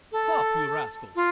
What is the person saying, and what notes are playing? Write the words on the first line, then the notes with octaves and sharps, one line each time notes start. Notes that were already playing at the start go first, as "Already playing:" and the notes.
"Stop, you rascals!"
A4
F4